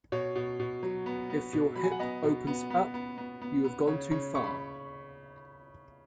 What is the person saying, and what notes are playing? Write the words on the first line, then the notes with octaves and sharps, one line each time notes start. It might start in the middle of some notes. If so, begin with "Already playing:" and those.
If your hip opens up, you have gone too far.
B2 C#5
B2
B2
F#3
B3
B3
B2
F#3 B5
G#5
F#5
B3 D#5
B2
B3
B3
B3
B3
B3
B3
C#3 C#5
C#3 C#5
C#3 C#6
B5